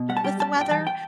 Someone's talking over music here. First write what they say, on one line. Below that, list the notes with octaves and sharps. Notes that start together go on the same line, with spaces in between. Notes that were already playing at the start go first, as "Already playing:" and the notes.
with the weather.
Already playing: B2
G3 F#5
A5
G3 G5
G3 A5
G2
G5
E3 A5
G5